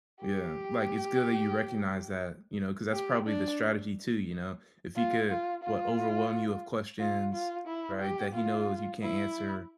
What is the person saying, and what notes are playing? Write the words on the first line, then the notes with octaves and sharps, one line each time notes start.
Yeah, like, it's good that you recognize that, you know, ‘cause that's probably the strategy too, you know, if he could, what, overwhelm you with questions, right, that he knows you can't answer
G4
G4
D4
F4
F4
F4
F4
F4
E4
G4
F4
E4